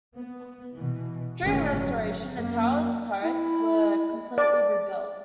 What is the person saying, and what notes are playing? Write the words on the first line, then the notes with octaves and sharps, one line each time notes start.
During restoration, the tower's turrets were completely rebuilt.
B3
B2 E3
G1 A2 D#3 G#3 A3 C#4
F#3
F#2 A#3
E4
D5